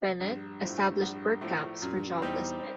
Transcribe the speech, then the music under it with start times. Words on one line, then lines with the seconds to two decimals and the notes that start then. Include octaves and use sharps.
Bennett, established work camps for jobless men.
0.20 A#1 G2
0.61 A2 F3 A3
1.02 A#1
1.41 A2 F3 A3
1.82 F#2 A#2
1.94 G2
2.05 F#2
2.22 E2 G3 C4 D#4 G4